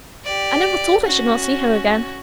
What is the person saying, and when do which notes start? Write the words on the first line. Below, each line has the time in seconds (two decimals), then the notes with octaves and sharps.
I never thought I should not see her again.'
0.24 G4 D5
1.04 C#4 F#4